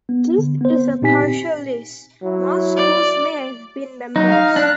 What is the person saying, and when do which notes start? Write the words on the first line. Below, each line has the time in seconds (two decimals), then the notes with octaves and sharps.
This is a partial list, more schools may have been members.
0.09 B3
0.38 D3
0.61 B3 C4 C5
1.02 A#2 C4 D#4 G4 G#5 B6
2.23 F#3 E4
2.77 D5
4.16 F#3 D#4
4.32 F5
4.56 D4 F#6